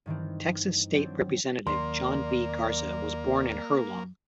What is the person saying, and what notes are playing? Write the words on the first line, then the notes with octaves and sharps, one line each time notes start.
Texas State Representative John V. Garza was born in Herlong.
G2 D#3 E3 C4
F#3 C4 D4
D#2 D#3 F#3 A#3 D5 C6